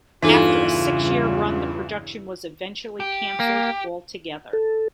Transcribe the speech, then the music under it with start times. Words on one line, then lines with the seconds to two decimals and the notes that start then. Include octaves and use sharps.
After a six-year run, the production was eventually canceled altogether.
0.23 E2 G2 C#3 E3 D4 D#4 F4 A4
3.00 G4
3.40 A#3
4.53 A4